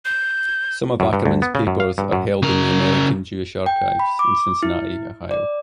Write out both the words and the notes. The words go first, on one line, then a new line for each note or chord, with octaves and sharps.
Some of Ackerman's papers are held in the American Jewish Archives, in Cincinnati, Ohio.
G6
F#2
G2
D2
B3
C#3
F#2
F5
G2
F#2
C#3 A#4
G5
B5
D6
E4
D5